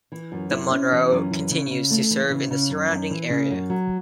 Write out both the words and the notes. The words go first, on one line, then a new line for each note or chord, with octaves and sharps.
The "Munro" continues to serve in the surrounding area.
E3
F#2
E4
C#4
E3
F#2
E3
C#3
C#3
A3
E3
C#3
C#3
F#2
F#2
E3
C#3
F#2
F#3